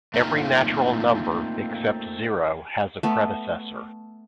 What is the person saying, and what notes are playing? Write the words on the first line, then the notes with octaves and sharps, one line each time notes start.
Every natural number except zero has a predecessor.
A3 A#3 C4 D#4 F4
A3 B3